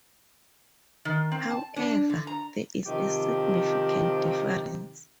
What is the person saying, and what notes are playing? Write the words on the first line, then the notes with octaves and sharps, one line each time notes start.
However, there is a significant difference.
D#3
C4
A5
D4
D3
A#5
C3 D#3 F3 G4